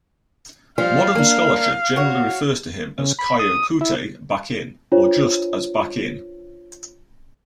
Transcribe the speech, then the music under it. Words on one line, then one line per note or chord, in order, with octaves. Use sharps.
Modern scholarship generally refers to him as Kyokutei Bakin, or just as Bakin.
F3 G3 F4 F5
A#3 D4
F#4 C#5
C#3
B5
D#6
E4
D4 F4 C5 C#5